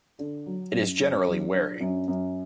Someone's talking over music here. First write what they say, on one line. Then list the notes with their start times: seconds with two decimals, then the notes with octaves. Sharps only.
It is generally wary.
0.19 D3
0.46 F#3
0.73 F#2
1.00 F#2
1.27 F#3
1.53 D4
1.80 F#2
2.08 F#2